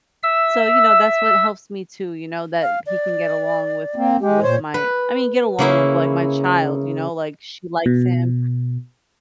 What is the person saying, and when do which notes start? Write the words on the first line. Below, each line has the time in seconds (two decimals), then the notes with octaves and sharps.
so you know, that's what helps me to, you know, that he can get along with with my I mean, get along with like my child, you know, like she likes him,
0.23 E5 E6
2.62 F5
2.86 D5
3.96 A#3 C4
4.21 G#3 G4
4.42 A#2 C5 C#5
4.74 B4
5.59 C#3 A#3 E4
7.86 B2